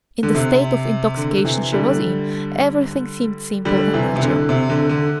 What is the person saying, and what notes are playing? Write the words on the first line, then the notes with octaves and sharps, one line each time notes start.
In the state of intoxication she was in, everything seemed simple and natural.
D3
C3
D3
C3 E3
D3 G3
D3 G3
C3 E3
C3
D3
C3
D3
D3